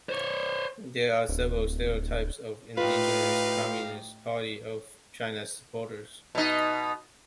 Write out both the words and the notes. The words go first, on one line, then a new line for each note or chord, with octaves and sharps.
There are several stereotypes of indigenous Communist Party of China's supporters.
C5 C#5
D1
A2 D#4 F4 G4 B4 F5
B2 D#4